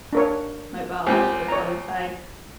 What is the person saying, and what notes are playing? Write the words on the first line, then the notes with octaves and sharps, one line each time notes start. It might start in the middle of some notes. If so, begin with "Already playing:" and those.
my biological father's side.
D4 A#4 C#5
C#2 C4 G4
C#5 A#5